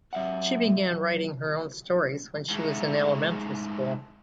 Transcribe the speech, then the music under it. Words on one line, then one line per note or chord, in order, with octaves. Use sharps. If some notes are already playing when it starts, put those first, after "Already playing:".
She began writing her own stories when she was in elementary school.
F#3 E5 F#5
G#2 A3